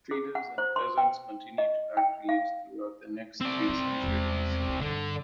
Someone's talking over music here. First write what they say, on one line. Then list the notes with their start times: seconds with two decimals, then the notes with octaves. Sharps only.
Traders and peasants continued to accrete throughout the next three centuries.
0.11 G#4
0.35 F#5
0.58 C5
0.76 C6
0.98 G5
1.58 D#5
1.97 G5
2.29 F5
3.41 C4 D5
3.69 F#2
4.04 E2 G#3
4.69 D2
4.81 G2 D3